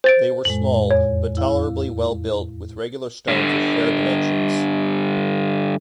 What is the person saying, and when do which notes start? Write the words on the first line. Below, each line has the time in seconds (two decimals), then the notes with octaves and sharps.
They were small, but tolerably well-built, with regular stones of fair dimensions.
0.04 C5 A6 D7
0.45 F2 A2 G#3 F#7
0.91 E2 C#5
1.37 E4 F5
3.28 G2 D3